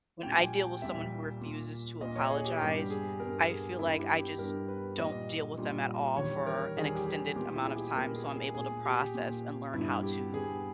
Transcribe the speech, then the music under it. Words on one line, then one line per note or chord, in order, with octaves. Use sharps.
when I deal with someone who refuses to apologize, I feel like I just don't deal with them at all for an extended amount of time, so I'm able to process and learn how to
A#2 G3 A#3 G5
G#5
G5
A#2 G3 A#3 E5
A#2 A#3
A#2 A#3 D#5
C#5
G#4
G4
G2 G3 B3 G4
G#4
G2 G3 B3 A#4
G#4
G2 G3 B3 E4
G4
G4
G2 G3 B3 A#4
B4
A#2 G3 A#3 D#5
A#2 G3 A#3
E2 D#3 G3 C#5
A#4
E2 D#3 G3 G#4
G4
G#4
A#2 G#3 B3 G4
E4
G#4
G4
A#2 G#3 B3 A#4
G#4
G#4
A#2 A#3 G#4
G4
A#2 A#3
G2 G3 B3 E4
G4
G2 G3 B3 G#4